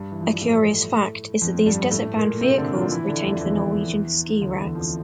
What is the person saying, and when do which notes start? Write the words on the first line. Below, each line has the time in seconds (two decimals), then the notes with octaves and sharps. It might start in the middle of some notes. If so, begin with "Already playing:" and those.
A curious fact is that these desert-bound vehicles retained the Norwegian ski-racks.
Already playing: G2 G3
0.12 E3
0.21 F3
0.32 G3
0.41 A2 A3
1.41 F2 F3
1.66 G2 G3
1.91 A2 A3
2.16 A#2 A#3
2.41 C3 C4
2.58 D3 D4
2.74 F3 F4
2.91 E3 E4
3.07 D3 D4
3.24 F2 F3
3.41 E2 E3
4.41 D2 D3
4.58 E2 E3
4.75 F2 F3